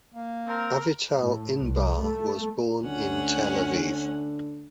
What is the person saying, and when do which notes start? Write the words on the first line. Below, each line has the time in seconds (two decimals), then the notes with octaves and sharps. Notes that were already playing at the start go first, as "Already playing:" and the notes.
Avital Inbar was born in Tel Aviv.
0.14 A#3
0.47 C4 A#4
1.17 A2
1.61 C2
1.98 A3
2.83 D2 D3 C#4 F#5